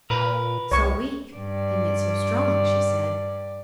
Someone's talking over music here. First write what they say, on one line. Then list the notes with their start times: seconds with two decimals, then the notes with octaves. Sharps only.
"So weak and yet so strong," she said.
0.10 A#2 A#4 B4
0.71 C2 C#5 C#6
1.35 G2 D5